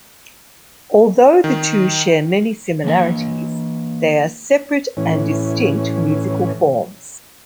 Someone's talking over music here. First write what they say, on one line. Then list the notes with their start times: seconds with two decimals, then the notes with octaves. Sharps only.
Although the two share many similarities, they are separate and distinct musical forms.
1.44 D#3
2.84 E3 A#3 G#5
4.97 A2 E3 C#4